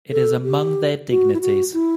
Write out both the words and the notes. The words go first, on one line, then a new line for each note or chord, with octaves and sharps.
It is among their dignities.
A4
G4
F#4
E4
F#4
E4